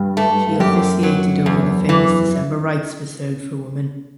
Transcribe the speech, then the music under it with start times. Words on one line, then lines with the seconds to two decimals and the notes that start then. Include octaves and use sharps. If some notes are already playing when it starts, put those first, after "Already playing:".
She officiated over the famous December rites reserved for women.
Already playing: G2
0.17 A3
0.60 F#2 G4
1.03 F#3
1.46 E2
1.89 E3